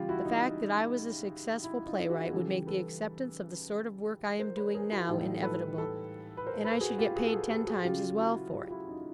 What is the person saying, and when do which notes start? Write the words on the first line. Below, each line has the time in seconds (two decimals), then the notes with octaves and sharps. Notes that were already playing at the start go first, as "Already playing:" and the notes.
The fact that I was a successful playwright would make the acceptance of the sort of work I am doing now inevitable, and I should get paid ten times as well for it.
Already playing: C#3 E3 G3 F4 G4
0.09 E4 F#4
0.25 D#4
1.64 E4
1.86 D#4 F4
2.09 F#4 G#4
2.32 C#3 E3 G3 G4 A4
2.67 A4 B4
4.39 A#4 C5
4.57 B4 C#5
4.74 G#4 A#4
4.91 E4 F#4
5.08 A2 E3 G3 D#4 F4
5.43 A4 B4
5.78 A4 B4
6.37 B4
6.47 A#4 C5
6.64 A4 B4
6.80 F#4 G#4
6.98 F4 G4
7.15 F#4 G#4
7.27 A4
7.33 F#4 G#4
7.50 G4 A4
7.67 F#4 G#4
7.84 C#3 F#3 F4 G4
8.19 E4 F#4
8.53 F4 G4
8.70 E4 F#4
8.87 D#4 F4